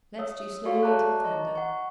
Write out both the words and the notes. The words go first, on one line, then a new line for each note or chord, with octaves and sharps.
Let stew slowly until tender.
C#5 D#6 E6
F#4 G#4 A4 D5 F5 C#6
C#5 E5 A5 A#5 D6 F#6
D#5 A#5 C#6
F#5 C#6